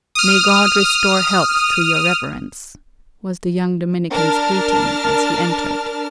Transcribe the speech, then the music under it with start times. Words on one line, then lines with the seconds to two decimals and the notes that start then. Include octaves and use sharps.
"May God restore health to your Reverence," was the young Dominican's greeting as he entered.
0.15 D#6 F6
4.10 D4 A#4 A5 F6